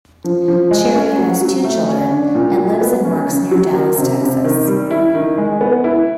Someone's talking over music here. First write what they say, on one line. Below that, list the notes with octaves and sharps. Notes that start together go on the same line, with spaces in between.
Cherry has two children and lives and works near Dallas, Texas.
F3
F3
G#3
C#4
F#4
F#3
A3
C#4
D4
A#2
F#3
B3
C#4
C#3
F#3
A#3
C3
C3
D#3
G3
E4
D#3
G#3
B3
E4